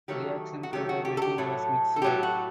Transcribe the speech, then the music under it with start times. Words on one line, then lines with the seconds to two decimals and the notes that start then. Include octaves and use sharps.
Reaction to the building was mixed.
0.08 D#3 F#3 A3 G4
0.63 F#4
0.73 D#3 F#3 A3 G4
0.89 F#4
1.05 G4
1.17 A4
1.22 G4
1.38 A2 F#3 A3
1.96 A4
2.02 A2 F#3 A3 G4
2.23 F#4